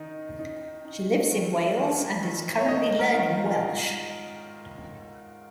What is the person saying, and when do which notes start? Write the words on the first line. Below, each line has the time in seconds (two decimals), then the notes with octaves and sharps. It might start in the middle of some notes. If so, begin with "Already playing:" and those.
She lives in Wales and is currently learning Welsh.
Already playing: D#3 D#4
0.39 D#4
0.85 D#4
1.31 D#3
1.77 D#3
2.23 D#3
2.58 C#5
2.68 D#3 D#5
2.99 A#4
3.15 D#3
3.29 F4
3.59 G#2